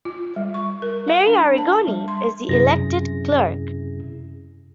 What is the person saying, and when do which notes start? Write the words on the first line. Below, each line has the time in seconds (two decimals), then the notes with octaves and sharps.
Marie Arrigoni is the elected Clerk.
0.05 F4
0.36 G3
0.54 C#6
0.82 A#4
1.08 F5
1.27 D4
1.58 A5
1.87 G3
2.08 C6
2.49 F#2 C3 C#4 E4 G#4 A#6